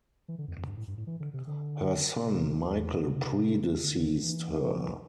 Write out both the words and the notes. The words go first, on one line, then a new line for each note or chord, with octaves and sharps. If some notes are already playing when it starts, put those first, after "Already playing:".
Her son Michael pre-deceased her.
E3
D3
F2
F2
G2
A2
G2
A2
E3
D3
C3
D3
C3
E2
C3
D3
D3
E3
F3